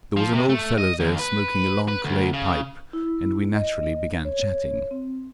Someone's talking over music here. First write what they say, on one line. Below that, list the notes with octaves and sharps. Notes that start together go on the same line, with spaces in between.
There was an old fellow there, smoking a long clay pipe, and we naturally began chatting.
F3
C3
A3
D#5
D#2
B4
B4
D2
C#3
E4
D#5
C#5
C4